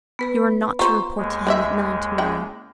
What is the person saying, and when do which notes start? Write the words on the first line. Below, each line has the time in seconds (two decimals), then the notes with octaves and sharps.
"You are not to report to him at nine tomorrow."
0.19 B3 B4 B5
0.79 F4 C5 A#5 C6 C#6
1.18 D#2 G#3
1.47 D#3 D4 E5
2.18 C#3 E4 G5